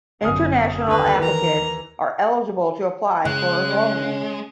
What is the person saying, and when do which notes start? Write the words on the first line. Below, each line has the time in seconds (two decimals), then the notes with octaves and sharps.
International applicants are eligible to apply for enrollment.
0.23 G1 F#2 G#5 D#6 F6
0.86 D#2 D3 B4
1.19 E3 A#4 A#5
3.25 C#3 G#3 C#4 F#6